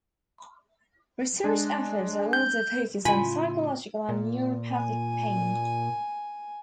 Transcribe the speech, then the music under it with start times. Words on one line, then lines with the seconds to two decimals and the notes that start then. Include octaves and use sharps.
Research efforts are also focused on physiological and neuropathic pain.
1.44 G#3 D4
2.33 G6
3.05 A2 C#3 F4 G#5 B5
4.09 A#2
4.70 G#5